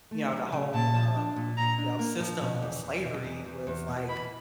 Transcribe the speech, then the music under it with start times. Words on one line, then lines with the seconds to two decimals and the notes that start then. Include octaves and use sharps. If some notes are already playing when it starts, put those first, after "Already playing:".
you know, the whole, um, you know, system of slavery was, like,
0.11 A3
0.32 F#3
0.52 C#3
0.74 A#2 A5
0.94 F3
1.16 D4
1.36 A#2
1.57 A#2 A#5
1.78 D4
1.99 A#3
2.20 F3
2.41 B2
2.62 E2
2.83 E2
3.04 B2
3.24 E2
3.46 E2
3.67 E2
3.88 B2
4.08 E3 B5